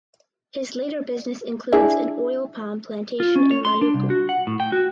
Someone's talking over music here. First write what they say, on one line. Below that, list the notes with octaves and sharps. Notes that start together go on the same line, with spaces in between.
His later business includes an oil palm plantation in Maluku.
D4 E4 G#4
F4
C#4
C#5
C6
D4
C2
F#4
F#5
A2
G5
F#4